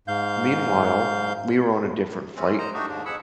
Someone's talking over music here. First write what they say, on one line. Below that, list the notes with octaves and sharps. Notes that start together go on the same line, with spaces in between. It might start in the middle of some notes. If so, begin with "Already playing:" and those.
Meanwhile, we were on a different flight.
G#2 F5 G6
E3 G3 C4 C#4
C5 D#5 A#5
A3 D4 D#4 F#4 G4
D#2 G#2 D4
F2 F3 G#4 F#5 B5 E6